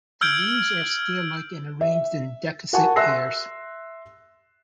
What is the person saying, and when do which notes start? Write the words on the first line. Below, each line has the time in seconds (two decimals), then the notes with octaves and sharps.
The leaves are scale-like, arranged in decussate pairs.
0.21 E6 F6 G6 G#6 D7
1.81 E5
2.73 F#4 A#4 F#5 G#5 A5 C#6
2.96 E5 C6 E6 F#6 A#6 C7